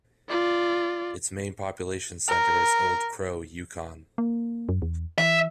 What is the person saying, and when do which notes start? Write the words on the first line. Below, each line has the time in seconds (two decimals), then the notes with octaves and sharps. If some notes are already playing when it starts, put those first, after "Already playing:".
Its main population centre is Old Crow, Yukon.
0.29 F4 D5
2.28 A#4
4.18 A#3
4.69 F#2
4.82 E2
5.18 E3 E5